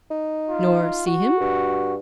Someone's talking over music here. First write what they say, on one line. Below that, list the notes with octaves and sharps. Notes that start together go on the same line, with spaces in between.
"Nor see him?"
D#4
F4
F#4
G2